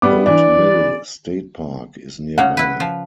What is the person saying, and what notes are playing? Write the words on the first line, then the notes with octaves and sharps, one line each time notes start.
Old Mill State Park is nearby.
G3 B3 D6
E3 D4 D5
C#3 A#3 F#5
E4 B4
F3